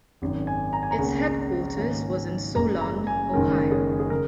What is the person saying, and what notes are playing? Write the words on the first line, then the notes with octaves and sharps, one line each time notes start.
Its headquarters was in Solon, Ohio.
G#1 F#2 D#3
G#5
A#5
G#5
A#5
C#2 C#3 A#3
G#2 D#3 A#3 C#4
F#1 F#2 C#3 G#3 A#5
A#5
G#5
F#1 F#2 D#3 G#3 C#4 A#4
G#4
G#4
C#3 A#4